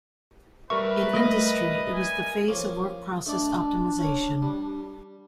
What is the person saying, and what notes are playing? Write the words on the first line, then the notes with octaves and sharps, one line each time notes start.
In industry, it was the phase of work process optimization.
G3 A#4 B4 E5 C#6
A3 D#5 A#6
G#5
F3 A#3 C#4
A3 D4 D#4 D5
C#4
G3